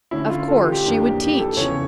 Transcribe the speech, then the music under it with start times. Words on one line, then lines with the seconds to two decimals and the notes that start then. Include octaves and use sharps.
Of course she would teach!
0.11 D3 A3 C#4 E4
0.30 F4
0.48 A4
0.56 G4
0.64 F4
0.72 G4
0.84 F2 E3 A#3 D4 F4
1.21 G4
1.39 A4
1.57 E2 C#3 F3 C#4 E4 C#5